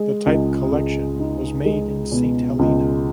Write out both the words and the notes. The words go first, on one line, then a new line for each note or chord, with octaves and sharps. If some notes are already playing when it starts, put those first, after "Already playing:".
The type collection was made in Saint Helena.
Already playing: G#3
C#2
C#2
D#4
G#3
B2
C#2